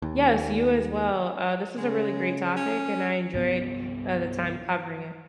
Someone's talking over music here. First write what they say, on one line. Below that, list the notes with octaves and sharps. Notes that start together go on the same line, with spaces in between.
Yes, you as well. Uh, this is a really great topic, and I enjoyed, uh, the time covering it.
D#2
C#3 G#3
C#4
C2 G2 B3